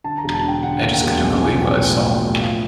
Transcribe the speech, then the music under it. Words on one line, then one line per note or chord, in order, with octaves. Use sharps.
I just couldn't believe what I saw.
D3 A5
A#5
E1
A5
D3
G5
D3 F#5
D#2
G5
E1
B1 G#5
F3 G#5
B1 G5
A2 G#5
A#3
G5
A2
F3 F5